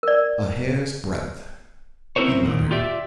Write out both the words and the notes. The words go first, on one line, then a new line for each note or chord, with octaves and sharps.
"A hair's-breadth," he muttered.
A#4 D5
C4 C#4 E4 A#4 C5 C#5
A#2 D#3
F4 G4 D5 E5